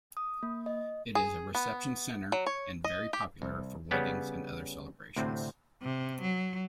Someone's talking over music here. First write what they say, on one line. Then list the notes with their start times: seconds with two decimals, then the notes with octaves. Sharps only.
It is a reception centre and very popular for weddings and other celebrations.
0.17 D#6
0.43 A#3
0.66 D#5
1.15 G#4
1.55 B3
2.32 F#3
2.46 C#5
2.84 D#5
3.13 G4
3.42 C2
3.91 C#3 G3 B3 C#4
5.16 D2 A2 C3 C4
5.82 C3
6.22 F#3